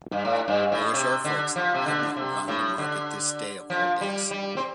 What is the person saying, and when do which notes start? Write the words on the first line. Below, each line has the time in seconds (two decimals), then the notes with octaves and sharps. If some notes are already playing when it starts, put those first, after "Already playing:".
I wish our folks had not gone to market this day of all days.
0.12 G2
0.25 A2
0.48 G2
0.72 A2
0.94 C3
1.25 D3
1.56 F3
1.74 C3
1.86 D3
2.17 C3
2.48 A2
2.78 D3
3.70 F3
4.01 G3
4.31 G3
4.57 C4